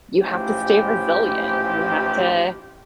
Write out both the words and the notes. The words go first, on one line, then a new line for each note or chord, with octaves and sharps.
you have to stay resilient. You have to,
A1 G#2 E3 F3 G4